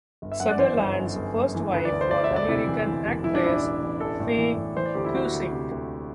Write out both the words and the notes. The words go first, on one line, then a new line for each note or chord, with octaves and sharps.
Sutherland's first wife was American actress Faye Cusick.
G1
E5
F#2 F#5
D5
E3 C5
G1
F#2
G1
F#2
E3
D2 B4
D5
D2
C5
D2 D5
E5
E1
D5
C3 E4
E3
E3
E1
E3 E4
D4
A1 E4
D4
A1
A1
A1 A4
A2
E3
A2
E3 C5
D5
D2 G4
E4
E3 F#4
D2
C3 G4
D2